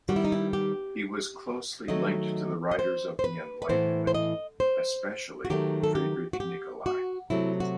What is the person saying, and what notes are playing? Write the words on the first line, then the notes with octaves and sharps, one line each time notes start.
He was closely linked to the writers of the enlightenment, especially Friedrich Nicolai.
D#3 G3 B3 F#4
E4
D#4
E4
G4
D#3 F#3 A3 D#5
D#5
C5
C5
B4
B4
A2 E3 B3 C5
C5
D#5
C5
F#4
D#3 F#3 A3 G4
A4
G4
F#4
G4
F#4
C3 F#3 A3 E4
F#4